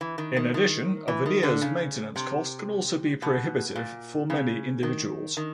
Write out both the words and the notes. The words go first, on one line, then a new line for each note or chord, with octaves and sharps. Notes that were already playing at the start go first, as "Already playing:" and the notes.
In addition, a veneer's maintenance cost can also be prohibitive for many individuals.
E3
D#3
D#3
D#3
E3
D#3
D3
C#3
C3
B2
A#2
C#3
D#3
D#3